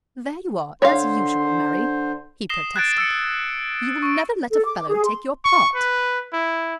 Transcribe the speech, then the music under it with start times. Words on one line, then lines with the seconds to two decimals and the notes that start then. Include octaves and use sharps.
"There you are, as usual, Mary!" he protested; "you will never let a fellow take your part!"
0.82 D3 C5 C#5 F5
2.49 D#6 A#6 C7 E7 G7
2.76 F#6 G#6 A6 D7
2.98 E6 C#7
4.02 C#6 D7
4.51 A4
4.65 D6
4.89 G#4
5.05 C6
5.45 C#6
5.75 B4
6.33 E4